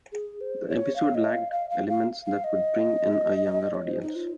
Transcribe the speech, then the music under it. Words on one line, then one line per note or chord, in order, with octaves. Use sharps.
The episode lacked elements that would bring in a younger audience.
G#4
C5
C#5
F5
D#5
F5
F5
F5
F5
F5
D#5
C#5
C5
D#4
F4